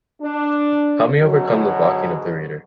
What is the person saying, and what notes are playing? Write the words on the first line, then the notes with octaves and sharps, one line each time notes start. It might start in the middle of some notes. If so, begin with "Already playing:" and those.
Help me overcome the blocking of the reader.
D4
G#2 B2 D3 F#3